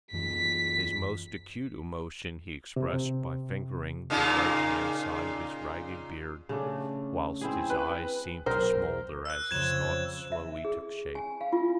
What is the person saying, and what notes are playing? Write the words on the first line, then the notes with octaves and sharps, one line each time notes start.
His most acute emotion he expressed by fingering the right-hand side of his ragged beard, whilst his eyes seemed to smoulder as his thoughts slowly took shape.
F#2 E3 B6
C3
A#2 C#3 D#4
C#3 A3 D4
C4 E4 G#4
B4
B1 A#4 C5
E6 F#6
F2 C#3 G#6 E7
E5
G#4
G#5
F5
F4